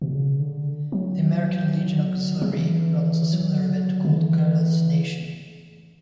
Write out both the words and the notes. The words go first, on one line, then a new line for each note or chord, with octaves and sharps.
The American Legion Auxiliary runs a similar event called Girls Nation.
B2
C#3
D3
F#3
F#3
E3
F#3
D3
E3